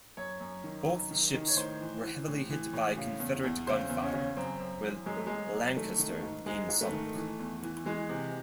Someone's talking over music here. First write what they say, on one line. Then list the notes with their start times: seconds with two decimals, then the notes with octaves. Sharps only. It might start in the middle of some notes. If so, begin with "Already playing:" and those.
Both ships were heavily hit by Confederate gunfire, with "Lancaster" being sunk.
0.17 F#2 C#5
0.41 F#2
0.64 D#3
0.88 F#2
1.11 D#3
1.34 D#3
1.48 C#5
1.57 A2 C5
1.81 E3
2.04 E3
2.27 A2
2.50 E3
2.73 A2
2.97 C#3
3.20 E2
3.44 E2
3.67 C#3 C5
3.89 E2
4.02 C#4
4.13 C#3
4.37 F#2 C4
4.59 F#2
4.83 E3
5.06 F#2 G#3
5.17 A3
5.27 F#2 G#3
5.53 F#2
5.77 D#3 A3
5.99 D#3
6.23 G#2
6.46 G#2 G#3
6.69 G#2
6.81 A3
6.92 D#3
7.15 E3
7.39 E2
7.63 E3
7.85 E3 G#3
8.09 C3